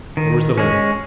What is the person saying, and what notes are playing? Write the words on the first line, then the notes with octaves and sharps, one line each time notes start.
There was the link.
D#3
G#3 C#4